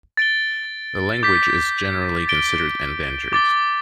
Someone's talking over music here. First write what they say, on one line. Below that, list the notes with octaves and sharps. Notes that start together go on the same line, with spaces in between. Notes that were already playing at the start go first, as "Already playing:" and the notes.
The language is generally considered endangered.
A6 D7 G7
D6 G6 B6
A6 D7 G7
D6 A6 G7